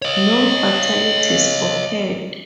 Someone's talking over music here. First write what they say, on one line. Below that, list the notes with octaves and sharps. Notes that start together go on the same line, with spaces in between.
No fatalities occurred.
C#5 D#5